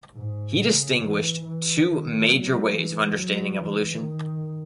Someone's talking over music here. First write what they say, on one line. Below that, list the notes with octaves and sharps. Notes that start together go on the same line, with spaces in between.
He distinguished two major ways of understanding evolution.
G#2
C#3
E3
E3
D#3
F#3
E3
F#3
E3
D#3